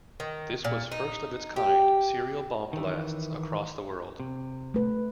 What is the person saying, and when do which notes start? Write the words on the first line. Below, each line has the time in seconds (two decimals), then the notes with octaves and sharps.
This was first of its kind serial-bomb-blasts across the world.
0.20 D#3
0.64 A#2
0.92 D#4
1.56 G4
2.73 D#3 E3
4.20 C3
4.74 A3 B4